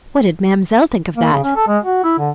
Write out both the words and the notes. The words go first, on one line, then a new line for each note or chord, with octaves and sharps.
"What did Mam'selle think of that?"
A#3
C#3
C#4
A4
G#3
F#4
E4
D3